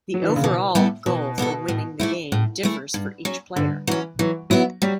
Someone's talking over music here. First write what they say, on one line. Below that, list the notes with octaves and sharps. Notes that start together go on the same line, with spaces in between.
The overall goal for winning the game differs for each player.
F#3
E3
D3
C#3
B2 E3
A2 G3 B3 E4 A4
B2 E3
G3 B3 E4 A4
A2
E3 A3 E4
A2
E3 A3 E4
G2
F#3 C#4
G2 D3
E3 F#3 C#4
E3 F#3
F#3 B3 E4
F#3 G3